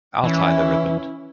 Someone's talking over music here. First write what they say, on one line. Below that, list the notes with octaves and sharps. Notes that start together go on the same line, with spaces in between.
I’ll tie the riband.
E3 C#4 E4